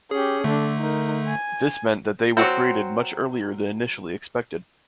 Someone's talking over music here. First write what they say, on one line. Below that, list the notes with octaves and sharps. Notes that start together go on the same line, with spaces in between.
This meant that they were created much earlier than initially expected.
C#4 G4 G#4
D3 A3 D4 A4
D#4 A#4
G#5
F#3 A#3 C4 F#4 C5